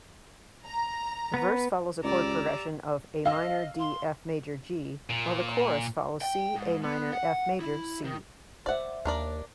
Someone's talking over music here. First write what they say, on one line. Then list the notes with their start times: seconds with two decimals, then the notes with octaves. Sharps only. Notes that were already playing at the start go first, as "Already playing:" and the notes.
The verse follows a chord progression of Am-D-Fmaj-G while the chorus follows C-Am-Fmaj-C.
0.66 A#5
1.34 B3 B4
2.04 C#2 G4 D5 A#5 E6
3.25 D#5 F5 E6
3.79 C6
5.10 A#2
6.22 G5
6.56 G#2
6.83 B3
7.12 F#5
7.61 E4
8.04 D#3
8.66 C5 D5 E5 F#5
9.05 D#2 D4 A#4 D5